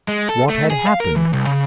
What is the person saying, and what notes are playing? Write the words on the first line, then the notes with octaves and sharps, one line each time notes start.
What had happened?
G#3
A4
A3
G#4
F5
A#4
E3
C2
C#3